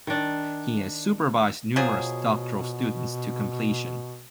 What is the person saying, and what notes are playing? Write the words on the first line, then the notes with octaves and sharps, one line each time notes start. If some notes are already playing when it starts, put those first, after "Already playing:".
He has supervised numerous doctoral students to completion.
D#3 D4
B2 F3 F#3 G#4